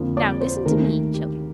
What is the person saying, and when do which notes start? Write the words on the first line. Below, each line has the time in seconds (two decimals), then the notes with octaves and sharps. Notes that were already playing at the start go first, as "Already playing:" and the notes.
Now listen to me, children.
Already playing: F2 D3 F3 A#3
0.17 D5
0.41 C5
0.66 D#2 D#3 A3 A#4
1.14 G4